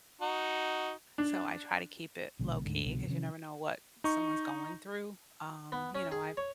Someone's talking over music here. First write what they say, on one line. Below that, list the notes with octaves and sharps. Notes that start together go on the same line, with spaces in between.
so I try to keep it low key 'cause you never know what someone's going through. Um, you know, I've,
D#4 F#4
D4
A#1 B2 D3 G#3
D2 G#2 D3
C2 B2 D3
C3 D#3 F3 C#4
D#4 C#6
B3
C#4
G#4
C#5